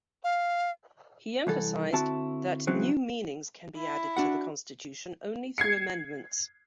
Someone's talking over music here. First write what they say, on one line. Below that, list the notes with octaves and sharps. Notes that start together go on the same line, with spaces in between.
He emphasized that new meanings can be added to the Constitution only through amendments.
F5
C2 E3 A4
D3 C4 E4 F#4 A5
C#3 E3 F#3 C4
E4
D4 F#4 F#5
G#6 C7 C#7